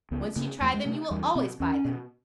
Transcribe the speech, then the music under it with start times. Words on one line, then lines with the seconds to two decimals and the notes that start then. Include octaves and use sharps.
Once you try them, you will always buy them.
0.11 C#2 B3
0.36 C#3 A#3
0.61 E2 A3
0.74 G#3
0.85 C3 A3
1.11 E2 G3
1.35 B2 C4
1.60 E2 C#4
1.85 B2